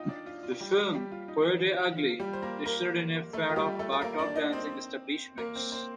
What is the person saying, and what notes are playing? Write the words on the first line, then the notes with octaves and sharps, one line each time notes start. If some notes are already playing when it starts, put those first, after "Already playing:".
The film "Coyote Ugly" ushered in a fad of bartop dancing establishments.
Already playing: D#4 F4 D#5 G5
D4 D5
F4
F4
G3 G4
G3 G4
F4
D#4
F4
G3 G4
C5
A#3 A#4
A#3 A#4
A3 A4
F4
G3 G4
A3 A4
A4
A#3 A#4
D4 D5
D#4 D#5
C4 C5
A#3 A#4
C4 C5
C4 C5